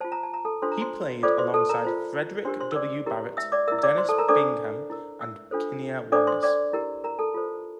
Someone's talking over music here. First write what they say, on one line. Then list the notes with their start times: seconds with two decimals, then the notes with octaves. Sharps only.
He played alongside Frederick W. Barrett, Dennis Bingham and Kinnear Wise.
0.01 F4 C5 A5
0.12 A#5
0.23 A5
0.34 A#5
0.45 A4 A5
0.62 D4 F4 A4 C5 C6
0.72 A#5
0.81 C5 C6
1.23 F4 A4 C5 D5 D6
1.38 C5 C6
1.54 A4 A5
1.69 A#4 A#5
1.84 F4 C5
2.45 D4 G4 A#4 C5 C6
2.60 C5 C6
2.72 E6
2.76 D5 D6
3.06 E4 G4 A#4
3.37 E5 E6
3.52 D5 D6
3.68 A#4 E5 E6
3.72 E4
3.79 E6
3.83 D5 D6
3.98 C5 C6
4.09 A4 A5
4.18 A#4 A#5
4.28 D4 A4 C5 D5 D6
4.90 E4 A#4
5.21 E5 E6
5.51 D4 F4 A4 C5
6.12 D4 A4 C5 D5 D6
6.27 C5 C6
6.43 D5 D6
6.73 E4 G4 A#4
7.04 A#4 A#5
7.19 A4 A5
7.34 F4 A4 C5